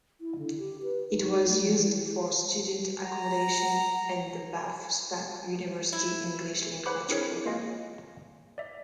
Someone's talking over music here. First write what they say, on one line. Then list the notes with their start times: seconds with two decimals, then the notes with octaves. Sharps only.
It was used for student accommodation and the Bath Spa University English Language Programme.
0.21 E4
0.39 D3
0.58 G4
0.83 B4
1.10 D#4
1.34 F#4
1.48 A3
1.64 F3
1.77 E3
3.01 F#5 A#5
5.93 E4
6.86 B4 C5 F#5 B5 D6
7.09 C4 D4 E4 G#4 A#4 C#5
7.46 A#3 F4 D#5 F5 G#5 A#6
8.58 D5 E5